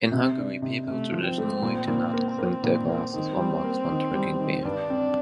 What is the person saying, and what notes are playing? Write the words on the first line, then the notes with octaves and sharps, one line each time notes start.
In Hungary, people traditionally do not clink their glasses or mugs when drinking beer.
C3
D4
C3
C3 A3
F3
C4
A3
A#2
A#2
A#3
A#3
A#2
A#3
D#3 C4
G3
A#3
D#3
G3
D#3
G2 D4
C4